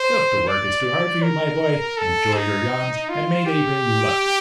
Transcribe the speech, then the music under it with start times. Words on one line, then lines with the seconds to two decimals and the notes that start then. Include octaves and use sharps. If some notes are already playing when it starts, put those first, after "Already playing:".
"If the work is too hard for you, my boy, enjoy your yawns and may they bring you luck!"
Already playing: C5
0.48 D5
1.22 A#4
1.97 A4
2.34 D#4
3.09 F4
3.47 G4